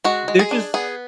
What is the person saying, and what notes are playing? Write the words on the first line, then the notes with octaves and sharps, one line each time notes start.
They're just
G#3 F#4
G#3
G#4
D4
B3 G#4